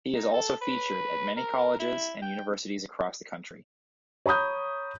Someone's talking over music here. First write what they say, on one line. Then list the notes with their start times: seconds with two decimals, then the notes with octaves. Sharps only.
He has also featured at many colleges and universities across the country.
0.15 D#4
0.34 A4
0.61 B4
1.37 A#4
1.80 E4
2.22 G5
4.26 C#5 A#5 B5 D#6 G6